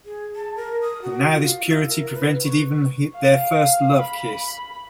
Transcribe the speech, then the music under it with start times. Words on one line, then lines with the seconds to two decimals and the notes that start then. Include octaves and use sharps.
And now this “purity” prevented even their first love-kiss.
0.05 G#4
0.36 A5
0.56 A#4
0.81 D#6
1.02 F#4
1.31 F4
1.44 F5
1.65 E4
1.88 A#4
2.14 B4
2.44 C#6
3.15 F5
4.01 B5